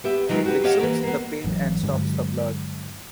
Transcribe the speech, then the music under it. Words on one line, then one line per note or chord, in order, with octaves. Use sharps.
Which soothes the pains and stops the blood.
B3 G4 E5
D#3 F#3 G#3 F4 B4
F#4 G4 B4
G4 C#5 D#5 F5 F#5 A5
E3 A#3
A#3 B3
G#1 G#2 E3 F#3
G2 D3 F#3 G#3